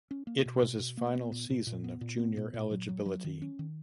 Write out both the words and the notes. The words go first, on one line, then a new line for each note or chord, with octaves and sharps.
It was his final season of junior eligibility.
C#4
A#3
B2
B2
B2
A#3
B3
A#2
A#2
A#2
B3
A#2
B3
A#2
A#2
F#3
F#3
F#3
D#3
C#4
D#3